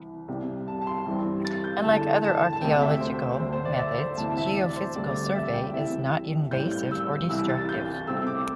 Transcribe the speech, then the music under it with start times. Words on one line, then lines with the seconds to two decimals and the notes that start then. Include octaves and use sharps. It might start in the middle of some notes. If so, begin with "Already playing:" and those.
Unlike other archaeological methods, geophysical survey is not invasive or destructive.
Already playing: C2 C3 E3
0.28 C2 C3 G3 C4
0.68 A5
0.82 A5
0.87 C6
1.06 G2 E3 G3 C4
1.45 A6
1.64 G6
1.84 E2 D3 A3 A5
2.24 A5
2.53 A5
2.61 D2 C3 A3 C4 G5
2.82 E5
3.01 C5
3.40 D2 D3 A3 C5
3.53 C5
3.65 D5
3.79 E5
3.99 C5
4.17 D2 C3 E3 A5
4.37 E5
4.57 D5
4.76 C5
4.95 D2 D3 G3 C4 D5
5.25 D5
5.35 E5
5.54 G5
5.73 C2 C3 E3 C4 E5
6.51 A2 G3 C4 G6
6.71 G6
6.91 E6
7.29 C2 C3 E3 E6
7.49 A6
7.69 G6
8.07 C2 C3 A3 C4 E6
8.27 D6